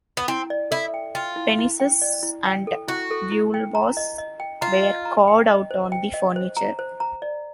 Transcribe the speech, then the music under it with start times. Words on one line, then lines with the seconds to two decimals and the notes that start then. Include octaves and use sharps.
Penises and vulvas were carved out on the furniture.
0.17 B3
0.28 C4 E4
0.50 D5
0.71 E4 A4
0.94 G5
1.15 F4 G5
1.36 E4
1.59 E4
1.80 G5
2.02 D5
2.23 E4
2.45 G5
2.67 A4
2.88 E4 F#4
3.11 A4
3.32 E4
3.54 G5
3.75 A#5
3.97 D#5
4.18 D#5
4.40 G5
4.61 F4 A#5
4.83 D#5
5.05 A#5
5.28 G5
5.49 D#5
5.71 C5
5.92 G5
6.14 D#5
6.36 C5
6.57 A#5
6.79 C5
7.00 A#5
7.22 D5